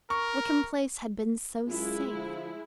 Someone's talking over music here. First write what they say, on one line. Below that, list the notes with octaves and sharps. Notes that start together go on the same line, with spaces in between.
Wickham Place had been so safe.
A#4 C#6
F#2 G#3 E4 F4
D3 F3 F4